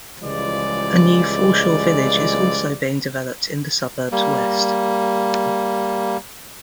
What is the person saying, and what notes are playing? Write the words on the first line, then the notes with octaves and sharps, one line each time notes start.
A new foreshore village is also being developed in the suburb's west.
C#2 E3 F3 G3 G#3 D5
G3 A#3